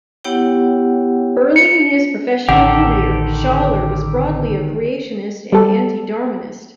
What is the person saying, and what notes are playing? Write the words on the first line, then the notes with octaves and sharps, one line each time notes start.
Early in his professional career Shaler was broadly a creationist and anti-Darwinist.
B3 E4 G4 C#5 F#5 G5
C#7
A1 D3 D#3 G4 A4 F#5
G3 A4